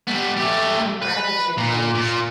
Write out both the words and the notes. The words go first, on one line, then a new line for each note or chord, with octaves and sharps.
Well, and gratitude makes
G3 B3
A3 G4
B4
A#2
A#2